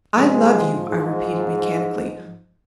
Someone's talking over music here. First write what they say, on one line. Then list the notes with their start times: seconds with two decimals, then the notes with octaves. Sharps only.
"I love you," I repeated mechanically.
0.16 G#2 C3 F3 G#3
0.89 G#2